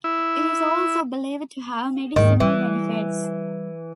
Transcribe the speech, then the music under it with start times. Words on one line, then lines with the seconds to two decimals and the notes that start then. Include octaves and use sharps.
It is also believed to have medicinal benefits.
0.04 E4
2.16 D#2 G#2 D#3
2.40 E3 G3